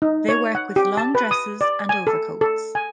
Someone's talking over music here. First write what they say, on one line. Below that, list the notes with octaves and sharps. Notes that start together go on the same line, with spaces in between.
They work with long dresses and overcoats.
D#4
C#5
F#5
G4
A5
B4
D#6
D5
G#5
A4
A4
G#5